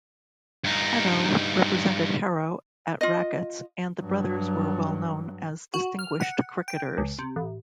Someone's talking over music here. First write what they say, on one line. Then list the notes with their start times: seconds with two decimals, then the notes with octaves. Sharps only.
Hadow represented Harrow at rackets and the brothers were well known as distinguished cricketers.
0.64 G2 D#4
3.01 F4 D#5
4.00 G2 F#3
5.74 F#4
5.99 F6
6.21 F#5
6.68 G5
6.98 C#2
7.19 C3
7.36 A1